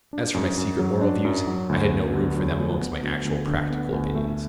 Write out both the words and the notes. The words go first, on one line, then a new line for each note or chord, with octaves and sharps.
As for my secret moral views, I had no room for them amongst my actual, practical opinions.
D4
F#2
F#2
F#3
D4
F#2
F#3
D2
B3
D3
F#3
D2
B3
D2
D2
D3
B3
D2
A3